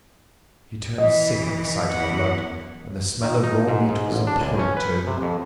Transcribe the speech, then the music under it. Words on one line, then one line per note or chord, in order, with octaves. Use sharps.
He turned sick at the sight of blood, and the smell of raw meat was abhorrent to him.
E3 D#5
E2 F#5
D#3
D#4
G#2
G#2
A1
D4
C#2
C#4
B4
C3
F2